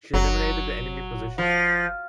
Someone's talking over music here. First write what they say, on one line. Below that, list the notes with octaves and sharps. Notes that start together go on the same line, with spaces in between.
She eliminated the enemy position.
F#1 F#3
F3